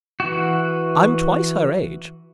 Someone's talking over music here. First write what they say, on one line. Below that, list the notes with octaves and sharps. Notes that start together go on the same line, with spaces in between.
I'm twice her age.
E3 F#4